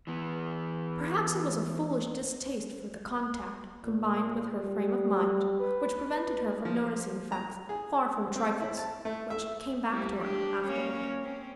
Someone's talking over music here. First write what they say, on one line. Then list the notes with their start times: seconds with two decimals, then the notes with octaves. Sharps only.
Perhaps it was a foolish distaste for the contact, combined with her frame of mind, which prevented her from noticing facts far from trifles, which came back to her afterward.
0.07 E3 B3
3.85 A#2
4.60 G3
5.60 B4
6.65 F3
7.32 A#5
7.69 G#4
8.35 C4
8.60 E4
8.78 A5
9.05 A3
9.30 E5
9.90 G3 A3 E4
10.20 D4 G4
10.65 A#3 C#4 C#5
11.22 C4 C#4